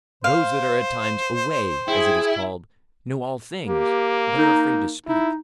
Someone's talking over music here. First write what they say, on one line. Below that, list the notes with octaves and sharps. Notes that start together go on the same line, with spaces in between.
Those that are at times 'away,' as it is called, know all things, but are afraid to speak.
C5 F5
E4 G#4 G5
A#3 G4
D#4
D#4 E4